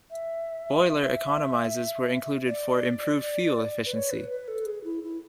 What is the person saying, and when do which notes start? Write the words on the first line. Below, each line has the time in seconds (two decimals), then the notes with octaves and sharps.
Boiler economizers were included for improved fuel efficiency.
0.11 E5
1.02 E5
2.48 D5
3.86 B4
3.94 C#5
4.11 B4
4.30 B4
4.48 A4
4.66 G#4
4.84 E4
5.03 E4